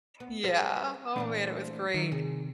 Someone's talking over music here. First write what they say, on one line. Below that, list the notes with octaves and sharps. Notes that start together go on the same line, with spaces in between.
Yeah. Oh, man, it was great.
B3
G3 G#4 A4 B4 C5
A#2 E3 A3 C4 D4
D#3 F#3
C3 G#4